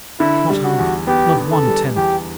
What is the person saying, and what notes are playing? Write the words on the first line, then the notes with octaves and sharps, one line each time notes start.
Not half--not one-tenth.
D3 E4
G3
F#4
E2
B3 G4
D3
A4
G3
E2 G4